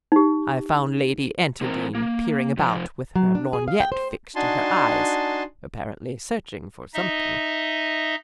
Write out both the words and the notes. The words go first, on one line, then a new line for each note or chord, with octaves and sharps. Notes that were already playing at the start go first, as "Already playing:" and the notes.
I found Lady Enterdean peering about with her lorgnette fixed to her eyes, apparently searching for something.
D#4 G4
E2 E3 C4 A#4 C5 A#5
A#3
C3 F3 C5
F#3
D4
G#4
F5
G5
C5
D4 D#4 F#4 G#5 A5 C6
D#4 D#5 E5